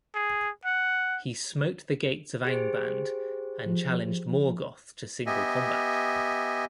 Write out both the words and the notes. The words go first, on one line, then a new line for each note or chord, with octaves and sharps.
He smote the gates of Angband and challenged Morgoth to single combat.
G#4
F#5
G4 G#4 C5
F3
B3 G4 D#5 E5 G#5